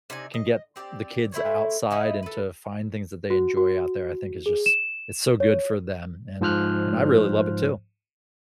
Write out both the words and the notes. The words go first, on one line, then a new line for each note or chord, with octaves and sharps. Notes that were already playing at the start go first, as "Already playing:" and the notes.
can get the kids outside and to find things that they enjoy out there, I think is just, it's so good for them, and and I really love it too.
C3 D#4 D5 G#5
D#5
C4 G4 G#4 D5
A3 E4 C5 C#5
D#4 E4 D#5
A4 B4
F#4
F#4
G#4
E7
C#5
G#2 F3 C5 F6 F#6